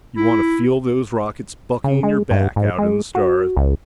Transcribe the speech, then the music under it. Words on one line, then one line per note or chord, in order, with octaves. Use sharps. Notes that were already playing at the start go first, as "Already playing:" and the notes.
You want to feel those rockets bucking in your back out in the stars?
E4
C#3
G#3
G2
G#2
G#3
F#4
C#2